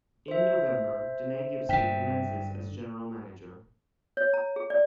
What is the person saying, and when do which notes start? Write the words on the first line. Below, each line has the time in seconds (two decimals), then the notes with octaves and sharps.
In November, Danae Gibson commences as General Manager.
0.28 C5 E5
1.69 G2 D3 G5 B6
4.17 C#5
4.33 A#5
4.56 G#4
4.70 D5